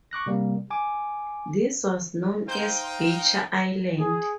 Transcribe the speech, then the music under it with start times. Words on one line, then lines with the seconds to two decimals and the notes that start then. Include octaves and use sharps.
This was known as Beecher Island.
0.11 C#6 D6 F#6 A#6
0.26 C3 G3 A#3
0.71 G#5 D6
2.48 D#4 C5 F5 G5 G6
4.00 G#4